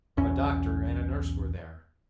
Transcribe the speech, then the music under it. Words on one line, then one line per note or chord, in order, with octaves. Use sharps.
A doctor and a nurse were there.
B1 E2 C#4